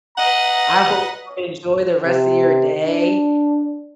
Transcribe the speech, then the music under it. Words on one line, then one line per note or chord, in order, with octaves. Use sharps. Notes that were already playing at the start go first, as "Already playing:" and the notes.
I hope you enjoy the rest of your day
B4 D#5 F#5 A#5
C3
D4